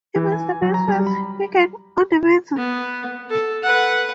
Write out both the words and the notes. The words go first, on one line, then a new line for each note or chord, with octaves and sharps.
He puts the best face he can on the matter.
E3
G#5
F#3
A#5
G3
B5
B3
A4
B4 F#5